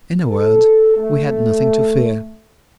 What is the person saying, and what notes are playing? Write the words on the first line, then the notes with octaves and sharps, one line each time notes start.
In a word, we had nothing to fear.
A4
A3